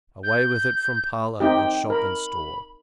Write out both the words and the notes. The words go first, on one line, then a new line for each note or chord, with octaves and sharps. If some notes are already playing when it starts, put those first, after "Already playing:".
Away with it from parlor, and shop, and store!
G6
C4 D#4 G4 G5
A#4 B5